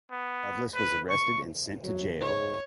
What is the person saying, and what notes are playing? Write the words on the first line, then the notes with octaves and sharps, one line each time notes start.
Loveless was arrested and sent to jail.
B3
B4
C#6
F#3
G#2 C#5